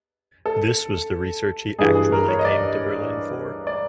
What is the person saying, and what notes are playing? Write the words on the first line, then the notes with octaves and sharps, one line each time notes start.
This was the research he actually came to Berlin for.
A4
G2 E3 G#4
G#4
A#4
C#5
D#5
D5
D5